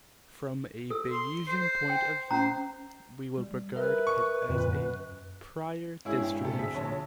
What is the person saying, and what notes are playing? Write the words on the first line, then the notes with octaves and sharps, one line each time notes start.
From a Bayesian point of view, we would regard it as a "prior distribution".
A4 E6
C6
C5
G5
C#4 C5 A#5
G3
A#4 B4 E5
C#6
F2 A#2 D3
F#2
G#2 C#4 E4 G#4
G2 G5
C3 A4
D3 G#4 E5 G#5 B6
A#1 C#5 A5